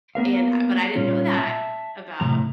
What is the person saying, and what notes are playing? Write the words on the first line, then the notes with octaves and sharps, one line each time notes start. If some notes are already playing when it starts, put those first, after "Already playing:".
and I but, I didn't know that about
A#3 B3 A#4 F5
A#2 G3 C#4 F4
E5 A5
A2 C3 F3 A#5